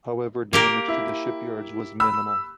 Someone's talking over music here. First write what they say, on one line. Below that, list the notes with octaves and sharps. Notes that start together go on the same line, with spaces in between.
However damage to the shipyards was minimal.
A#3 G4 A#4
E4
B5 E6